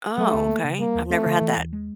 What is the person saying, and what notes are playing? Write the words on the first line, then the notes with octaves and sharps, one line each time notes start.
Oh, okay, I've never had that.
F#3 A3
D2
A#3
C#3
G3 A#3
D#2
A3 C4
D3
E3
D#2
G#3